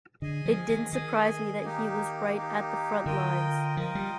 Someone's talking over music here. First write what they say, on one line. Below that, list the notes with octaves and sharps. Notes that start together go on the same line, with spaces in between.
It didn't surprise me that he was right at the front lines.
D3 G#4 D#5 G#5
F3
D#3
D#3 G#4 D#5 G#5
A#3 D#4 G4
A#3 D#4 G4
D3 F4 A#4 D#5 G5
F3 F4 A#4 D#5 G5
G3